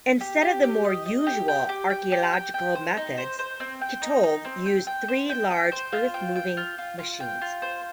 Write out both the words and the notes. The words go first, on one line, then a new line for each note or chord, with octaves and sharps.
Instead of the more usual archaeological methods, Kitov used three large earthmoving machines.
G4
G4
G4
D#5
D#5
G4
G5
G4
G5
G4
G5
G5
C5
D#4
C5
C5
C4
G5
D#4
D#4
C4
G5
G5
C5
G5
G5
C5
F4
G5
G5
F4
F4
F4
G5
F4
C5